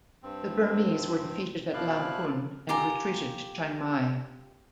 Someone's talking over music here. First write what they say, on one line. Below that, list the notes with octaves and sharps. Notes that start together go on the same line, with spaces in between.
The Burmese were defeated at Lamphun and retreated to Chiang Mai.
G2 C4
B2 F3 E4 D5 F5 F#6
F4 G4 G#5 A#5